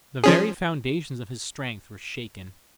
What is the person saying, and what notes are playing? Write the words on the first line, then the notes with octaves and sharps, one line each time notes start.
The very foundations of his strength were shaken.
F3 C#4 G#4